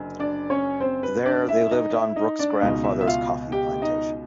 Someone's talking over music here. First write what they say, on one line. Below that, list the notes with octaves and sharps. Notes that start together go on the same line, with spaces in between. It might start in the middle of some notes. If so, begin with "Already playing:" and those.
There, they lived on Brooks' grandfather's coffee plantation.
Already playing: F#1 F#2 D3
D4 D5
C#4 C#5
C4 C5
B4
D4 D5
E4 E5
D#4 D#5
E4 E5
D#4 D#5
D4 D5
C#2 B2 D#4 D#5
E4 E5
E5
F4 F5
G4 G5
D#4 D#5